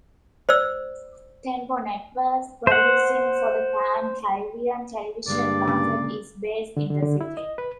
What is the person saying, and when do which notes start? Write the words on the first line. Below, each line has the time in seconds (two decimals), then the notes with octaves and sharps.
Tempo Networks, producing for the pan-Caribbean television market, is based in the city.
0.49 C5 D5 E6
2.67 C5 F#5
5.28 G2 D3 G#3 A#3 D5
5.68 A#2 C#3
6.77 D3
6.90 D3
7.03 D3
7.21 E4
7.37 D#5
7.58 B4